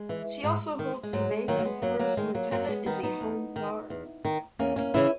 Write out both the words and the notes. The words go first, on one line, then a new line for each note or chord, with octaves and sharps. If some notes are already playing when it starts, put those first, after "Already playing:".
She also holds the rank of first lieutenant in the Home Guard.
Already playing: G#3
E3
G#2
D#3
G#3
G#2 F#3
G#3
D#3 F#3 A#3
A#3
G#3 B3
F#2 F#3 A#3
F#3 A#3
D#3 G#3
F#3 A#3
F#2 F#3 A#3
G#3 B3
D#3 B3 D#4
B3 D#4
E2
D#3
E2
D#3
E2 A#3 C#4
A#3 C#4
C#3 E3 C#4 E4